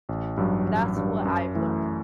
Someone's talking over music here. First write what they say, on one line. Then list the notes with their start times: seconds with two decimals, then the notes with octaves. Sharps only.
That's what I've learned.
0.09 A1
0.37 G2 F#3
0.67 A1
0.96 G2 F#3
1.25 F#2
1.55 E3 A3